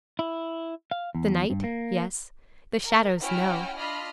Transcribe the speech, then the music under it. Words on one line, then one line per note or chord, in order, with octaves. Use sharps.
The night, yes; the shadows, no.
E4
F5
E2
G2
A#3
A#4
C#4 E4 F#4 G5 G#5 F6
D4 F4 D#5 B5 F6